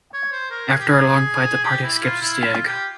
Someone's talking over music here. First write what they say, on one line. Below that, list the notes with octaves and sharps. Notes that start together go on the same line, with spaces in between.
After a long fight, the party escapes with the Egg.
C#5
C5
A#4
G#4
G4
G#4
G4
E4
F4
E4
F4
G4